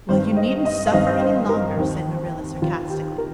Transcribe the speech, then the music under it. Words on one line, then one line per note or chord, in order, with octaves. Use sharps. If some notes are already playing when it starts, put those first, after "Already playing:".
"Well, you needn't suffer any longer," said Marilla sarcastically.
G2 D#3 C4 C5
D#5
D#5
F5
G2 D#3 C4 D#5
C5
A#4
D#2 D#3 C4
D#2 D#3 C4 F4
G4
A#4